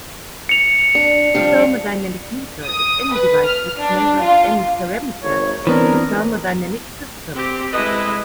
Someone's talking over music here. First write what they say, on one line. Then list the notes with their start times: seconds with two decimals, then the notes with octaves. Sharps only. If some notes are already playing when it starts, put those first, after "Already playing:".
A thermodynamic meter is any device which measures any parameter of a thermodynamic system.
0.49 C#7 F7
0.95 D4
1.35 F3 G3 D4
2.64 D#6
3.13 B4
3.44 F6
3.78 D4
4.21 F4
5.24 G#1 C#5
5.67 E3 B3 C4 D4 A#4
7.34 C4 G4
7.73 G#3 E4 A4 B4 D#5